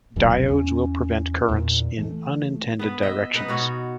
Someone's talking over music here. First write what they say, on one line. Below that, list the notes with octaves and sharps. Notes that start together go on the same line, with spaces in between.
Diodes will prevent currents in unintended directions.
D1 G#1 F#2 B2
E2 C#4
E2 A#2
E3 A3
B3 B4
D#5 E5
B3 D#4 B4
B2 F#4 C#5